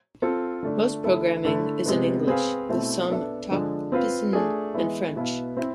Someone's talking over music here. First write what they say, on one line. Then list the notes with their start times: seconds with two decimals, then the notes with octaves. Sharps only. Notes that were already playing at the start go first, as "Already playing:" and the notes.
Most programming is in English, with some in Tok Pisin and French.
0.22 C4 F4 A4
0.63 D3 A3 D4
1.04 D3 A3 E4 A4
1.45 D3 A3 E4
1.86 C3 G#3 B3
2.27 C4 G#4 B4 F5
2.69 B2 A3 C4 E4
3.09 B3 D4 A4 E5
3.51 D3 F3 G#3 D4
3.92 C4 F4 B4 F5
4.33 A3 D4 G#4
4.74 E3 G#3 B3 E4
5.16 B2 B3 E4 B4 F5
5.57 C4 E4